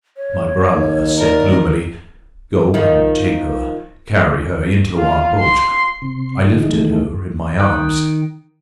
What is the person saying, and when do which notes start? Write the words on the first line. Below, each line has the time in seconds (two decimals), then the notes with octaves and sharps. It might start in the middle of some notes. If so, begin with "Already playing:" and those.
My brother said gloomily, 'Go and take her; carry her into our boat.' I lifted her in my arms.
0.17 C#5
0.73 D#2
1.18 A#4 D5
2.74 D#3 F3
4.97 F4
5.39 C6
6.02 C3 C6
6.52 D3 E3 G#3 D#4
6.69 B2 D#3 E3 G#3 A3
7.59 D#3 G5 D#6 F#6